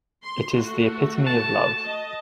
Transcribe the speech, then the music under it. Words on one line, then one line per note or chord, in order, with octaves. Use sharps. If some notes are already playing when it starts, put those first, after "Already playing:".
It is the epitome of love.
C6
A3 F#4
A5
D#5